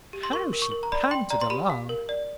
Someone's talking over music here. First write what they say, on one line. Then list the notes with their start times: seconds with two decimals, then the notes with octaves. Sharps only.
How she panted along!
0.13 G4
0.23 C6
0.32 A#4 C#6
0.53 A#4
0.62 C#6
0.72 A#4
0.83 A#5
0.92 D5 B5
1.11 G5 C6
1.30 D5 A#5
1.41 C6
1.50 G4 B5
1.70 F5
1.89 A#4
2.09 D5